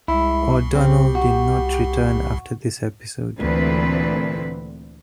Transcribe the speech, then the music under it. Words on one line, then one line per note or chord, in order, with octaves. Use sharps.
O'Donnell did not return after this episode.
C2 G#3 E4
C4 G4
F#4
D2 A#2 E3 C4 B4